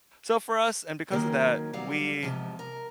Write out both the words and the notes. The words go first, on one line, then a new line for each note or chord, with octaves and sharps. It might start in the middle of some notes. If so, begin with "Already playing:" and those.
So for us, and because of that, we
D#3 F#3 A#3 C#4
F#3 G3 F5
E2 G#2 C3 F3
A#4